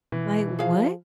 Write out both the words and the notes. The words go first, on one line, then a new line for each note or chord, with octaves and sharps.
like, what?"
B2 E3
F3 G#4 F5